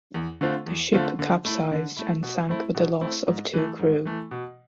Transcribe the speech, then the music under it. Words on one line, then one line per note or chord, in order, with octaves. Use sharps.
The ship capsized and sank with the loss of two crew.
E2
D3 A3 C4 F4
E2
D3 A3 C4 F4
D3
A3 E4
D3
A3 E4
B2
A3 C4 E4
B2
A3 C4 E4
G#2
E3 A3
G#2
E3 A3
B2